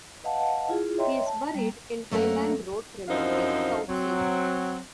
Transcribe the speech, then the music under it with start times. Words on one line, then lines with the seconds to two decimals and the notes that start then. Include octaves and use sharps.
He is buried in Highland Road Cemetery, Southsea.
0.24 B4 D#5 F5 F#5 A5
0.68 E4 F4 G#4
0.98 C#5 D#5 E5 G5 A#5 C6
1.26 A5
1.55 G3 A#3
2.11 F#2 A3 A#3 A4 A#4 F#5
3.09 F#2 F3 C4 D#4 E4 F5
3.89 F#3 C4